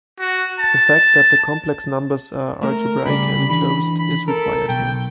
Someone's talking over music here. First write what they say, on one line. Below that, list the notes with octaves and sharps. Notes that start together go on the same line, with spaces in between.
The fact that the complex numbers are algebraically closed is required here.
F#4
A5
A3 A#4
C#3 G3 D5 B5
D3 E3 B5
B5
A4 A#4
B1 G5